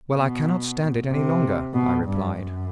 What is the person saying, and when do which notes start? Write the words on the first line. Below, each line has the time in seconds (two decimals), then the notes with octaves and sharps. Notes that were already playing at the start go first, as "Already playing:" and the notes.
"Well, I cannot stand it any longer," I replied.
0.16 B2
1.11 C3
1.74 B2
2.05 G2
2.37 F#2